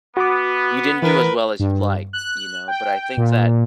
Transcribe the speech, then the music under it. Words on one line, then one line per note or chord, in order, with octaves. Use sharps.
you didn't do as well as you'd liked, you know, but I think that
B3 F#4 D6
E3 A#4 B4
G2
F#6
G5
A#2